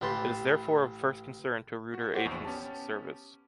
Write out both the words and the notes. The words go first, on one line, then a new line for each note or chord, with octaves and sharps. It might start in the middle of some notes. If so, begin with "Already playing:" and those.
It is therefore of first concern to Reuter Agence Service.
A1 E3 G4 B4 A5 C6
F#4
E4 F#4 G4 C5 F#5
A#1 E2 C#6
B3 C#4 G4 A5